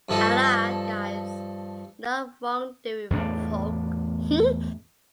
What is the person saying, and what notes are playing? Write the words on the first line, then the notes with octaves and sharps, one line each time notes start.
Allah guides not wrongdoing folk.
G2 F3 A4 D#5 A5
E2 A2 C4 D4